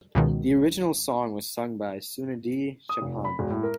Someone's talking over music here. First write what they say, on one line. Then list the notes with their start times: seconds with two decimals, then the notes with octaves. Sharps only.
The original song was sung by Sunidhi Chauhan.
0.15 C#2 B2 D#3
2.89 D#6
3.02 F1
3.25 B5
3.39 E1
3.50 A2
3.63 A#4